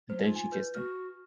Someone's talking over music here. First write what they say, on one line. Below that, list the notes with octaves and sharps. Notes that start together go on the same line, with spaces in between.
And then she kissed him.
F#3 C5
D#4 F4
G#5
B4 G6
F#4 F6